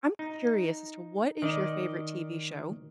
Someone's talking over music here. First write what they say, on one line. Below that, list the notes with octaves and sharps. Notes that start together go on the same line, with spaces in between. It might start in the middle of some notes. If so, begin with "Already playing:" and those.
I'm curious as to what is your favorite TV show?
D#4
D#3 D5 D#5